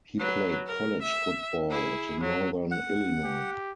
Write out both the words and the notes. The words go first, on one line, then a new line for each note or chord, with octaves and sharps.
He played college football at Northern Illinois.
F#3 B4
A#4
E5
E4 G#4
F#3
F#5
G4